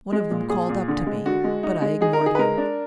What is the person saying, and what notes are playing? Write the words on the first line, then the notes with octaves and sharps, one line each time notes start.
One of them called up to me, but I ignored him.
G#3
A#2
A#2 G#4
A#2
D3
G#3
D3 F#4
G#3
D#4
G#3
D#4 G#4
A#4
D#4
G#4
B4
G#3 A#4
D4